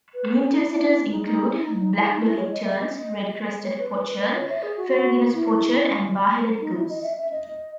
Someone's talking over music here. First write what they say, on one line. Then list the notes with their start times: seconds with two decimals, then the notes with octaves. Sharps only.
Winter visitors include black-bellied terns, red-crested pochard, ferruginous pochard and bar-headed goose.
0.14 B4
0.26 A4
0.40 A4
0.54 E4
0.68 E4
1.10 D#4
1.25 D#4
1.53 E4
1.62 D#4
1.81 D#4
1.96 E4
2.09 D#4
2.24 E4
2.37 C#5
2.52 D#5
2.65 E5
2.79 D#5
3.64 C#5
3.79 B4
3.92 B4
4.06 B4
4.20 B4
4.35 C#5
4.49 E5
4.63 G#4
4.77 F#4
4.91 F#4
5.33 E4
6.61 D#4
6.75 E4
6.89 D#5
7.03 E5
7.18 E5
7.31 D#5